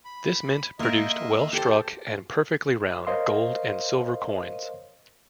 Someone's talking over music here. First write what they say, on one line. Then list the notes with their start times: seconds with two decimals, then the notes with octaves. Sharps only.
This mint produced well-struck and perfectly round gold and silver coins.
0.05 B5
0.79 A#3 A#4 D#5 E5 C6
1.53 G4 A4 C5
3.07 A#4 C5 C#5 D#5 F5 C6